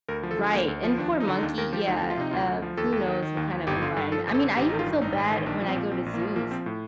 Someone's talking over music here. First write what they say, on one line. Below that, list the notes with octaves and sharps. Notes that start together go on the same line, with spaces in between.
Right, and poor monkey, yeah, uh, who knows what kind of environment I mean, I even feel bad when I go to zoos.
D2 A#4
F3
A4
D3
D2 A#3
D2
F3
D#2 D4
F3
D#4
D3
D#4
D#2 D4
D#2 A#4
F3 G4
D2 D#4
F3
F4
C3 D#4
D2 F4
D2
F3
D#2 A4
D#2
D#3
D#3
D#2
D#2
G1 G4
D3 F4
G2 A4
F3 A4
G1
A4
D3
A1 G4
D#3 D#4
F4
G2
A1 D#4
A1
D#3
A#1 D4
F3
C4
A#2
A#1 C4
A#1
A#3
F3
A#1 A#3
F3 C4
A2